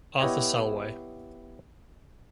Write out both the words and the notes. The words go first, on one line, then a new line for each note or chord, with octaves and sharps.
Arthur Salwey.
B3 E4 G4 B4 C#5 D#5